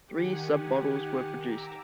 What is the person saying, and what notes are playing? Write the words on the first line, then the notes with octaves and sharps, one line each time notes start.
Three submodels were produced.
D#3 G4 F#5 G#5
A#5 D6 E6